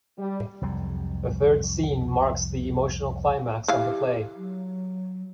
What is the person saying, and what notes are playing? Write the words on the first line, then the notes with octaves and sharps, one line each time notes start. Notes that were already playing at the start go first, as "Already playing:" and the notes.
The third scene marks the emotional climax of the play.
G3
C2 F2 F#3 G3
E3 G4 F5
F#3